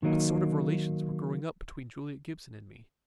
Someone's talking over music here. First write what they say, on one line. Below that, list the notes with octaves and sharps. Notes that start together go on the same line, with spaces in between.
What sort of relations were growing up between Juliet Gibson and me?
D#3 F#3 A#3 D#4